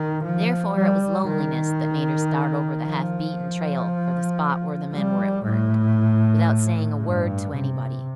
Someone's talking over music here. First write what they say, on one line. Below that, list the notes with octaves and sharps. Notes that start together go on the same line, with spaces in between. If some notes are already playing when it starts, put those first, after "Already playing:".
Therefore it was loneliness that made her start over the half-beaten trail for the spot where the men were at work, without saying a word to anybody.
Already playing: D#3
F3
G3
D#3
F3
G3
A2
G2
C3